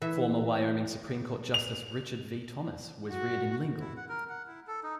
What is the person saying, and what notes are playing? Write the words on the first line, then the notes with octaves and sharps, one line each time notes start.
Former Wyoming Supreme Court Justice Richard V. Thomas was reared in Lingle.
E3 E5
F7
F#4
E4
F#5
A#4
F#5
E4
A4
D#4